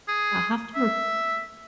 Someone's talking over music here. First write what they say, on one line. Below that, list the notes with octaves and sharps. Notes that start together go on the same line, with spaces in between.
I'll have to r
G#4
E5